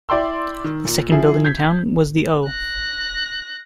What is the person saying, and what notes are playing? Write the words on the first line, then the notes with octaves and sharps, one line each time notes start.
The second building in town was the O.
E4 D5 G5 C6 E6
D#3
A#2
F3 E4 G#4
G6 G#6 B6
F#6 A#6